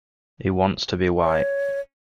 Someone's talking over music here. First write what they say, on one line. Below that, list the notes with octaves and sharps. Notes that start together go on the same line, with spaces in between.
He wants to be white.
C#5